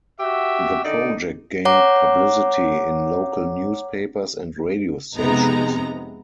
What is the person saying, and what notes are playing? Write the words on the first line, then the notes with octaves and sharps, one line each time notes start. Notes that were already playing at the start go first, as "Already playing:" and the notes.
The project gained publicity in local newspapers and radio stations.
F#4 G4 E5
D3 D#4 D5
C#5 F#5 A#5 D6
F2 C3 G#3 B3 D#4 A#5